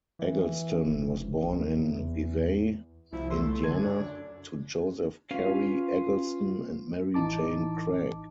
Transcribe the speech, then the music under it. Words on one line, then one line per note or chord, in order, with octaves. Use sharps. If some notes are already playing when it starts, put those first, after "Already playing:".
Eggleston was born in Vevay, Indiana, to Joseph Cary Eggleston and Mary Jane Craig.
E3
F1
D#2
E2
C2 F3 E4
A3 C6 E6
D3 A5 G#6
F#2 D4
C#4 F4 B4 F5
A1 E3 D#4 A5 D6